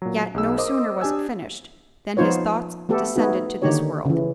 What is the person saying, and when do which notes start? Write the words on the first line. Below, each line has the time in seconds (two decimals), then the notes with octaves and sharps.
Yet, no sooner was it finished, than his thoughts descended to this world.
0.02 A#2 F#3
0.34 B1 G#4 E6
0.58 A#4 C5 D#5 D6 D#6
1.01 D4 G4 G#5 E6
2.17 F3 B3 D#4 F4 C5 C#5
2.89 A3 B3 G4 A4
3.16 A3 B3 D#4 F#4 G#4
3.62 D3 D#3 A#3 D#4 G4 C#5
4.05 C#3 E3